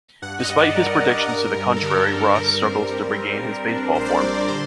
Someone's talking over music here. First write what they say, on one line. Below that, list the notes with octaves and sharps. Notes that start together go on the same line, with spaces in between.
Despite his predictions to the contrary Ross struggles to regain his baseball form.
G2 F#5
D#5
G3
D5
G3 A#4
G2
G2 A#4
G3
A4
D3 A#4
G2
G3 A#4
C4
G3
C4
G3
D4
A#1 C5
D5
G3 C5
D5
D3 C5